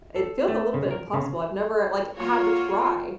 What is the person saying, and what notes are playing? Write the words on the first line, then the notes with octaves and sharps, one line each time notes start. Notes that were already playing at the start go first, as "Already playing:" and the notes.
it feels a little bit impossible. I've never, like, had to try.
A4
A3
C#3
A#4
C#3
A#3 F4 F#4 C#5